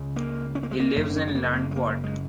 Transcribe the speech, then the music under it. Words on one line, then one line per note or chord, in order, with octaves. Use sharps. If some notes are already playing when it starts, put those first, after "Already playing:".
He lives in Landquart.
Already playing: C#2 C#3
A#3
C#4
A#3
G#3
A#3
F#1 F#2 C#3 A#3
C#4
G#3
A#3
A#3
G#3
A#3
G#3